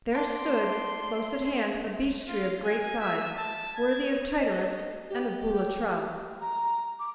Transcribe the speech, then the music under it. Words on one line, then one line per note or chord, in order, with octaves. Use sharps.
There stood close at hand a beech-tree of great size, worthy of Tityrus and of Boulatruelle.
D4 C6
F4
G#5
E5
A5
G#6
D#5
G4
A#5
D6